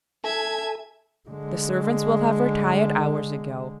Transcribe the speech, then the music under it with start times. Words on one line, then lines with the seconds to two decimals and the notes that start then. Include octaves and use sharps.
The servants will have retired hours ago.
0.24 A4 E5 G#5 A5 G#6
1.29 D3 G#3